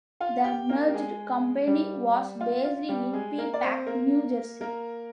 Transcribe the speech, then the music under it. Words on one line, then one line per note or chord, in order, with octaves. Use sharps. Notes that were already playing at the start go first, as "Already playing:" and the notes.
The merged company was based in Peapack, New Jersey.
F4 F5
G4 G5
A#3 A#4
G4
G#3 G#4
G3 G4
F4
F4
G3 G4
G#3 G#4
A#3 A#4
D5
C4 C5
A#3 A#4
A#3 A#4